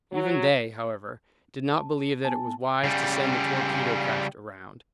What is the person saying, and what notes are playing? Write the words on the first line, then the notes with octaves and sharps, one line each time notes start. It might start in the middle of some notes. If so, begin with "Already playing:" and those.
Even they, however, did not believe that it was wise to send the torpedo craft around.
F#3
A5
B3 G#5 A5
C#3 G3